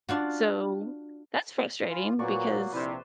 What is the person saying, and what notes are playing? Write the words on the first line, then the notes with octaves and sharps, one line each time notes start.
So, that's frustrating because
D4 F4 F#4
F4 G#5 B5
A#2 F#3 A#3 F#4 B4 D5 A#5 C#6
A#1 C3 E4 B4 C5 D5